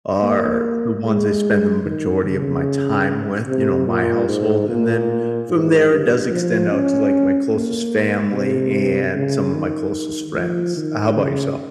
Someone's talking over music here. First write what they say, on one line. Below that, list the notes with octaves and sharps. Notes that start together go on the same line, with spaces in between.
are the ones I spend the majority of my time with, you know, my household. And then from there, it does extend out to, like, my closest family and some of my closest friends. Uh, how 'bout yourself?
A#3
G#3
D#3
C#3
C3
A#2
G#2
A#2
G#2
G2
F3
C#4
A#3
C3
C#3
D#3
F3
D#3
C#3